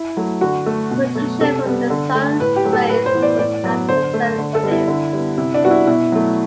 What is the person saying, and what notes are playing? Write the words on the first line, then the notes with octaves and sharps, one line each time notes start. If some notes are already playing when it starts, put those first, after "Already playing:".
Protection from the Sun's rays was not a concern for him.
Already playing: E4
F#3 A3
D3 F#4
A3
B2
F#3 A3
C3 A4
G3 B3
D3
A3
A2 B4
G4
F#3 A3
A4
A2 B4
C5
E3 B3
D5
A2 D5
F#3 B3
D3 C5
A3
D3
A4
G3 B3
E4
D3
G3 B3
C3 E4
D4
G3 B3 F#4
E4
B2 E4
F#3 A3